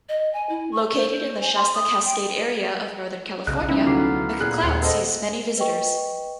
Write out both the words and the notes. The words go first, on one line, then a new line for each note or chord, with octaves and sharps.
Located in the Shasta Cascade area of Northern California, McCloud sees many visitors.
D#5
G#5
E4
C#6
C5
G#5
C6
D#6
G5
B1 C#3 D#5 F#6
F3 B3 C#4 D#4 E4
D2 F#3 B3 F5 A#5 D6 C7
A#2 G#4 F#6
D#2 C4 F#5
A4 C5 D#5
B4 D#5 G5 C#6